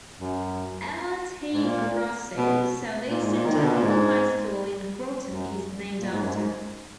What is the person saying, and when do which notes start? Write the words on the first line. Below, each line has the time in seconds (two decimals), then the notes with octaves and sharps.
Ella T. Grasso Southeastern Technical High School in Groton is named after her.
0.19 F#2
1.54 G#2
1.64 A#2
2.37 B2
3.10 A#2
3.23 G#2
3.34 A#2
3.46 D#3
3.55 D3
3.64 B2
3.73 A#2
3.83 G#2
5.28 F#2
6.00 A#2
6.12 G#2
6.23 F#2
6.33 G#2